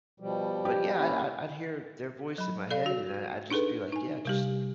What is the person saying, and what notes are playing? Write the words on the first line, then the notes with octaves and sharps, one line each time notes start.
but, yeah, I'd I'd I'd hear their voice in my head, and I I'd just be like, "Yeah. Just
B2 F3 G3
G4
A#3 C#4 E4
F#3 B5
A4 D5 F5
F#4
D4 D#4 G#4 A4 B4
D#4 G#5
C3 G3 G4